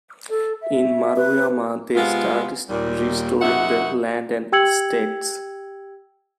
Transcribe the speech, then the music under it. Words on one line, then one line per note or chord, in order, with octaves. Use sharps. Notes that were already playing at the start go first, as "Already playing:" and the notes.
In Maruyama, they start restoring the land and estates.
A4
E5
B4
C3 G#3 B3 F4
D#2 A#2 G3
F#2 C3 D#4 F#4 E5 F#5
G4 G5 E6 G#6 C#7 F#7